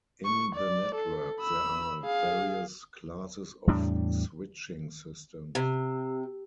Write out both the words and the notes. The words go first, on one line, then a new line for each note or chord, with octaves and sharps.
In the network there are various classes of switching systems.
C#6
D5
A4
B5 E6
G#4 F5
E2 A2 G3 D4
C3